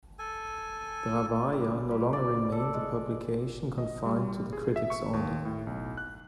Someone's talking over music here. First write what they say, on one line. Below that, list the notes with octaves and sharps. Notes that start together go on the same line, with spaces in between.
The Ravaya no longer remained a publication confined to the critics only.
A4 G#5
G3
G3
D5
A4
G#3
D#5
G3
G#4
E5
C#6
D#2
A2
B1
F#6